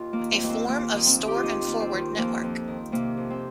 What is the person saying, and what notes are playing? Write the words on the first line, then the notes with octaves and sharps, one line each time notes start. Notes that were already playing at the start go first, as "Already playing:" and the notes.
A form of store-and-forward network.
Already playing: D#2 F4
A#3
D#3
C4
D#2
C4
D#2 A#3
D#3 D#4
C4
D#3
G4
F4
D#2 D#4
D#2
C4
D#3
F2 A#3
F2
D#3
C3 A#3
F2
C4